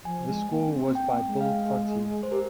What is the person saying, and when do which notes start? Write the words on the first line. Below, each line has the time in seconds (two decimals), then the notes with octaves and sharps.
The score was by Bill Conti.
0.05 F3 G#5
0.28 G#3
0.51 A#3
0.68 D4
0.74 C4
0.95 G5
1.11 A#3
1.27 G#3
1.40 F5
2.23 C5
2.31 G4 A#4